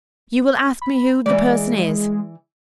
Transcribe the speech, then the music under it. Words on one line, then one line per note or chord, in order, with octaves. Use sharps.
You will ask me who the person is.
B5
E3 G#3 D5